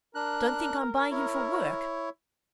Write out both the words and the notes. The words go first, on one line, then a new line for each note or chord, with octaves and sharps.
Don't think I'm buying him for work.
D4 A#4 F#6
E4 C#5